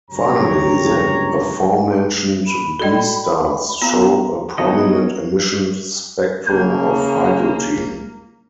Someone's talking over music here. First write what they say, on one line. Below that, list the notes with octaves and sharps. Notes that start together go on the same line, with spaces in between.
Finally, the aforementioned Be stars show a prominent emission spectrum of hydrogen.
G1 C#2 F#2 G4 C#5 A#5
B5
F#4 A4 D5 D#5 G5
B3 F4 A#4 F5 A#5
F#3 B3 D#4 F#4 D#5
C#3 A#3